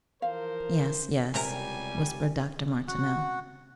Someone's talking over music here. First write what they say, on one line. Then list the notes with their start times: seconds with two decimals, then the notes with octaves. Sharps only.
"Yes, yes," whispered Dr. Martineau.
0.22 E3 F3 A#4 C5 F5
1.34 C#2 A2 C3 G3 A#4 G#5 A#5
2.88 F#4 F#5